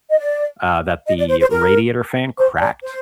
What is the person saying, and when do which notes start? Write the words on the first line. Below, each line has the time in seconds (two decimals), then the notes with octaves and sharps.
uh, that the radiator fan cracked,
0.10 D#5
0.19 D5
1.07 D#5
1.18 D5
1.29 C5
1.40 C5
1.51 A#4
2.38 C5
2.61 D5
2.83 C5